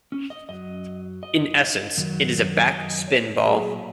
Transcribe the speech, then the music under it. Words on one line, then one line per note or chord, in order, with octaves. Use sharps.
In essence it is a back spin ball.
C#4
D#5
F#2 F#3 D#5
D#5
F#2 D#3 F#3
D#5
C#5
A#2 F#3 G#4